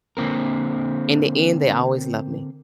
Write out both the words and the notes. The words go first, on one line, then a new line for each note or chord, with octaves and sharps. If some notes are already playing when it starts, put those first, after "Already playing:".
in the end, they always love me.
D3 A#3 C4 A#4